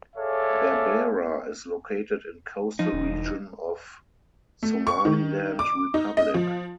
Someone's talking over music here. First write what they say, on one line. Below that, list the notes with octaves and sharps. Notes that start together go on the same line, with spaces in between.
Berbera is located in coastal region of Somaliland Republic.
G#4 A4 C#5 D5 E5 F5
F3 D#4
E1
A3
C#6
D#3
D6
D#4
D#5
F3